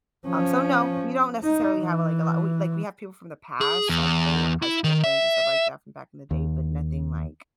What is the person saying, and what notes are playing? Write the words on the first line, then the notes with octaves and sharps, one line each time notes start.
um, so no, we don't necessarily have, like, a lot, like, we have people from the past, like, old high school friends and stuff like that from back in the day, but nothing like
F3 C#4
D#4
E3
G#4
E2
E4
D#3
E5
D#2